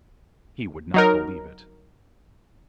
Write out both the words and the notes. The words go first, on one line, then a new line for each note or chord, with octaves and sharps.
He would not believe it.
F#3 D#4 A#4